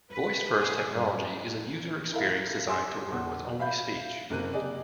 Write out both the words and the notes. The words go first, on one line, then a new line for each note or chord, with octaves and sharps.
Voice first technology is a user experience designed to work with only speech.
B4
G#4
G2
E4 A4 A#4 E5 F5
G4 G#5 C6 E6
E2
E5 F5 B5 G6
F#1 C3 A#3 F#6 D#7
G4 G#4 D5 D#5